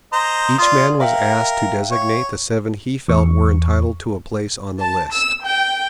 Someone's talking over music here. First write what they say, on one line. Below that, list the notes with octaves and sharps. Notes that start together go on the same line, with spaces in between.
Each man was asked to designate the seven he felt were entitled to a place on the list.
C5 D#5 A#5
F4 D5 C6 D#6
A#4 E5 F5 G5
C#5
E2 C#6
A5
E6
G5